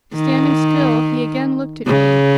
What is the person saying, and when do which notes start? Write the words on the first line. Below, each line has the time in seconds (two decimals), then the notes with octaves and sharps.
Standing still, he again looked at me.
0.15 D#3
1.87 C#3